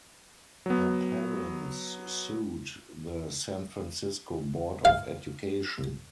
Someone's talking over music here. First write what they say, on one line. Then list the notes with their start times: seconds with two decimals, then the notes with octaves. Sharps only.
Her parents sued the San Francisco Board of Education.
0.66 F#3 B3
4.85 F5